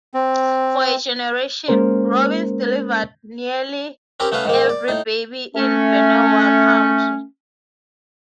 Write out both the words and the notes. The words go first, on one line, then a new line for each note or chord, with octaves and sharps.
For a generation, Robins delivered nearly every baby in Benewah County.
C4
G#3 A#3 C#4 A#4 C5
C4 C#4 G4 A#4
A3 B3 C#4 B4 F5
G#2 D#3 A#3
D5
A2 D#4
A3 C#4